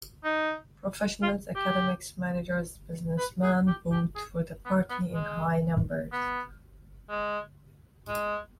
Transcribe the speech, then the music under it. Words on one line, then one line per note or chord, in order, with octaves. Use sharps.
Professionals, academics, managers, businessman vote for the party in high numbers.
D#4
F4
G4
B4
G#4
G4
G4
G#4
B3
B3
G#3
B3
G#3
G#3